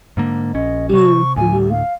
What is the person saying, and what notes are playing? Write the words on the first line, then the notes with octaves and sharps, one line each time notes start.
Mm, mhm.
G#2 D3 A#3
A#1 C#4 D#5
C3 C#6
D2 A2 G#5
F5